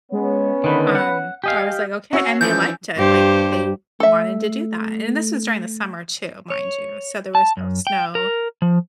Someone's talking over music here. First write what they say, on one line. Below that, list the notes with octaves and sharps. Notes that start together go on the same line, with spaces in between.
Um, I was like, "Okay" and they liked it, like, they wanted to do that. And this is during the summer too, mind you, so there was no snow,
G#3 B3 C#4 C#5
D3 D#3 B4
F#5
G4 D#5 F5 G#5
C#4 F#4 C#5 E6
E3 F3 G6
G2 G4 C5
A3 A4 E5
C#5
A5
F#2
G5
A#4
F3